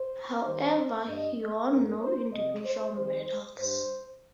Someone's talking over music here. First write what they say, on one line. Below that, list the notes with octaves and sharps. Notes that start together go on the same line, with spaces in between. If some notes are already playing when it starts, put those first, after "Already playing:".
However, he won no individual medals.
Already playing: C5
D#2 D#3 G3 C5
G2 G3 D#5
G2 G3 A#4
C5
F2 C3 G3 D#5
C5
F2 D#3 G3 C5
G2 G3 C5